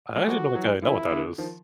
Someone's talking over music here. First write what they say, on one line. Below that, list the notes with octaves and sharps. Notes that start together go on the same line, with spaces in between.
I actually don't think I know what that is.
G#3
F3 G3 F#4
E3 F#3
D#3 F3 E4
D3 E3
D#3 F3